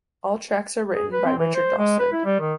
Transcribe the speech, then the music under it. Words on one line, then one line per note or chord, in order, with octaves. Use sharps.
All tracks are written by Richard Dawson.
G#4
B4
C4
E3
C5
G#3
B4
E4
G3
D#3